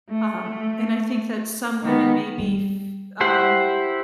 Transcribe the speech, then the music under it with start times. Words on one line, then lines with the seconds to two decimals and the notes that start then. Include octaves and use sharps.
Um, and I think that some women maybe f um,
0.10 A3
1.83 D#3 B3
2.38 G3
3.21 E4 G4 C5 F#5